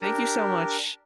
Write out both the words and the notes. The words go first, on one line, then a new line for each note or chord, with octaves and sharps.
Thank you so much.
D4 G4 A#4